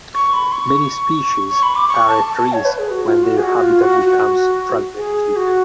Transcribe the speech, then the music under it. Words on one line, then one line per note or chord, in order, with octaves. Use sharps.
Many species are at risk when their habitat becomes fragmented.
C#6
B5
C#6
C#6
B5
D6
C#6
A5
A5
A5
C#5
B4
G#4
F#4
F4
F#4
G#4
F#4
F4
F#4
F#4
G#4
F#4